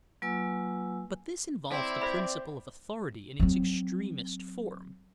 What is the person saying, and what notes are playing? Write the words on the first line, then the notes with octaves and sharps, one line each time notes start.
But this involves the principle of authority in its extremest form.
F#3 A#3 F4 B4 G#5 E6
C4 E4 D5
C5 E5 B5
F#3 C4